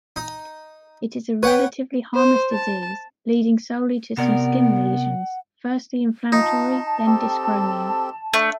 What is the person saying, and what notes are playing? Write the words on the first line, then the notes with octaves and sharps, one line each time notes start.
It is a relatively harmless disease, leading solely to some skin lesions, firstly inflammatory, then dyschromia.
D#4
B4 C#5 F#5 G5
C5
A5
C3 B3 A#4 D5 F#5
D#4 F4 A5
C4 G4 A4
A3 D4